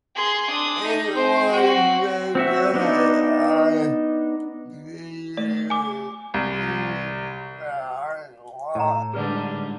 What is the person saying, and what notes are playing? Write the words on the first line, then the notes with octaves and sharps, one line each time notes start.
It was just, 'Hey, I'll see you in nine months.
G#4 C6
D4 D#6
D#4
C4 C5
C4 F#4
C4 F#4 E5
B3 D4 D#4
A3 D5
G#5 D6
C2
A2 A5 A#5
G#2 D3 G3 G#4 B4 D5